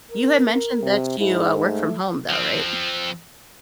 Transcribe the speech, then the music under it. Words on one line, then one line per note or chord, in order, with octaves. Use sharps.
You had mentioned that you, uh, work from home, though. Right?
A#4
C3
G#2 E4
A3
F3 C4